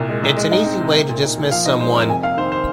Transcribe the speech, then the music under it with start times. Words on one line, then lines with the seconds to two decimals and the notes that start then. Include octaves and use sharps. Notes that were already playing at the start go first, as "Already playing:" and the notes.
It's an easy way to dismiss someone.
Already playing: C2 A#2
0.09 G#3
0.23 C2
0.37 G#3
0.52 D#4
0.66 C4
0.80 C3
0.95 A#3
1.09 A#2
1.23 D#4
1.38 A#2
1.51 F3 F5
1.66 D#4 D#5
1.80 G#3 C5
1.95 F2 A#4
2.09 C3 G#5
2.23 A#3 F5
2.37 D#3 C5
2.52 C5